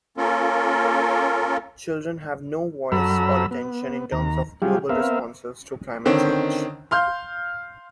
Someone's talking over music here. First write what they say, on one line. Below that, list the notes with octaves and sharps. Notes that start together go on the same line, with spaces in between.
Children have no voice or attention in terms of global responses to climate change.
A#3 C#4 F4 A4 A#4
F#2 F#3 A4 A#5 B5 E6
B3
D#2 A#5
F#3 G3 F4 G4 G#4
B3 C4 A#4 E5 F5
D3 D#3 C4 C#4
F5 C6 F6 G6